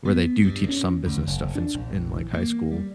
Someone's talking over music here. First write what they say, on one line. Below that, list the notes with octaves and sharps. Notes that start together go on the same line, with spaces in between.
where they do teach some business stuff in s in, like, high school.
B3
G2
C#4
D2
F#1
D4
A#1
E3
A#3
G3